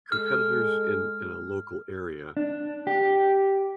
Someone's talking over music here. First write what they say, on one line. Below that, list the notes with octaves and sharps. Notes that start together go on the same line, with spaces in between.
competitors in in a local area,
G#3 A4 F6
D4
G4